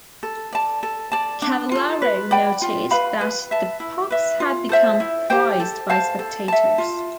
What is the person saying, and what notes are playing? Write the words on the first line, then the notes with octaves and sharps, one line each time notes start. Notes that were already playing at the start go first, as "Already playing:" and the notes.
Cavallaro noted that the pucks had become prized by spectators.
A4
D5 A5
A4
D5 A5
D4
F4 A4
B4
D5 G5 B5
F4
B4 F5 B5
B4
E5 A5
E4
B4 E5
F4
A4 C5 E5
E4
G4 C5 G5
A4
C5 F5 A5
A4
E5 A5
F4